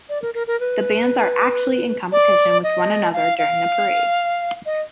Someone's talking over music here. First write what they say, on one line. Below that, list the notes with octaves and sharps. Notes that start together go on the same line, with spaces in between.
The bands are actually in competition with one another during the parade.
D5
A#4
A#4
A#4
B4
D5
D#5
F5
F5
D#5